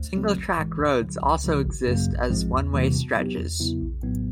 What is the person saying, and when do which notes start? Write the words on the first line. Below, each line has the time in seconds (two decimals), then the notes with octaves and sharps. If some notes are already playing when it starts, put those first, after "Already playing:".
Single-track roads also exist as one-way stretches.
Already playing: D2
0.15 C#3 F#3 A3 C4
0.37 A1
0.58 G#2 E3 G#3
0.80 D2
1.01 D3 F#3
1.23 C#2
1.44 C#3 F3 G#3
1.66 G#1
1.87 F#2 C#3 F#3 A#3
2.09 A#1
2.30 G#2 F3 G#3 C4
2.52 E2
2.73 C3 E3 G3 A#3
2.95 B2
3.16 F#3 B3 D#4 G4
3.37 E2
3.60 C#3 F#3 B3 E4
3.81 A#1
4.03 A2 F#3 B3 D#4